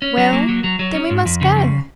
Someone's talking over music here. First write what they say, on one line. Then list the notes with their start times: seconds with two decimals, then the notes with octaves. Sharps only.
"Well, then we must go!"
0.02 C#4
0.17 F#3
0.33 A#3
0.49 F#3
0.64 F#3
0.79 F#3
0.95 C#4
1.11 G#2
1.26 F2
1.41 C#3
1.56 F2